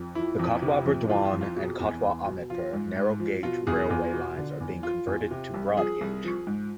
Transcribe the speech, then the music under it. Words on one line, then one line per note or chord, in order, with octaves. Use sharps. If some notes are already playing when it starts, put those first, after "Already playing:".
The Katwa-Burdwan and Katwa-Ahmedpur narrow gauge railway lines are being converted to broad gauge.
Already playing: F2
F3 E4
F2
C3
F2
E3 F4
F4
F2
F4
B2 G#4
E2
E2
B2
F3 F4
G#2
G#2
F3
B2 F4
E2 G#4
E2 F4
B2
D3
E2
F3 F4
E2
C3
C2
F3 G#4
C2
F3
G#2